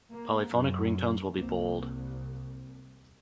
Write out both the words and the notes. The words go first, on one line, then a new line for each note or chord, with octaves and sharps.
Polyphonic ringtones will be Bold.
A#3
F#2
C2 A#3 C4